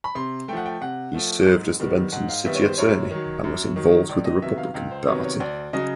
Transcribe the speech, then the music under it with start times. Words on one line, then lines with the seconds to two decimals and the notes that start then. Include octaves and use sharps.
He served as the Benton city attorney and was involved with the Republican Party.
0.04 B5
0.15 C3 C6
0.48 A3 G5
0.53 F3 F#5
0.66 G5
0.81 C3 F#5
1.14 F3 A3
1.46 G#2
1.80 D#3 G3 B3
2.12 G#2 F#5
2.29 F5
2.45 D#3 G3 B3 E5
2.55 C#5
2.62 C5
2.78 F#2 C#5
3.11 D#3 F#3
3.44 F#2
3.76 D#3 F#3
4.09 C#2 D5
4.25 D#5
4.42 C3 D#3 F#3 B3 E5
4.58 F5
4.74 C#2 F5
4.91 C5
5.07 C3 D#3 F#3 B3 C#5
5.24 C#5
5.40 D2 D5
5.73 C#3 F#3 D#5